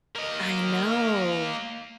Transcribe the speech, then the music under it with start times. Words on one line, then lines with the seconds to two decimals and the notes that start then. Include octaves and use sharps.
I know.
0.16 A#3 D#5